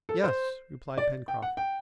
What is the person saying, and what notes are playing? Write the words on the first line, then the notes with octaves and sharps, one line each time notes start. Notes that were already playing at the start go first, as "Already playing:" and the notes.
"Yes," replied Pencroft.
A4
C5
D5
G5
F#5
G5